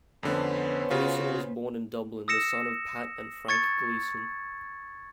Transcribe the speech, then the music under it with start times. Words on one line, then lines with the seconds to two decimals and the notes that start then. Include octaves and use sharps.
Gleeson was born in Dublin, the son of Pat and Frank Gleeson.
0.23 F2 D3 B3 C#4 C5
0.90 C#3 F4 F#4
2.28 D#6 E6 A#6 C#7 E7
3.48 C#6 G#6 A6 C#7